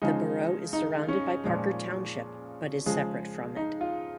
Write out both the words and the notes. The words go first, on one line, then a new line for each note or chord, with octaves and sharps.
The borough is surrounded by Parker Township but is separate from it.
C#3 F3 G#3 D#4
D#4
C#4
A#2 F3 G#3
C#3 F3 G#3
D#4
F4